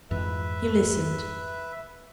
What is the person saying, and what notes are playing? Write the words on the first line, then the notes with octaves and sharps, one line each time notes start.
He listened.
F2 G#2 E3 B4 E5